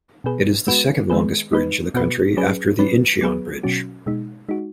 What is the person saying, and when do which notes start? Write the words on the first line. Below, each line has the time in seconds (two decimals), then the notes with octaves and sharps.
It is the second longest bridge in the country after the Incheon Bridge.
0.24 B2 B3 G#4 B4
0.67 G#3 B3 F#4 B4
1.10 D#3 G#3 B3 G#4 B4
1.51 G#3 D#4 B4
1.94 B2 B3 F#4 B4
2.37 F#3 C#4 G#4 B4
2.79 F#3 C#4 B4
3.21 F#3 B3 G#4 B4
3.63 B2 F#3 C#4 F#4
4.06 B2 G#3 D#4
4.49 G#3 D#4 F#4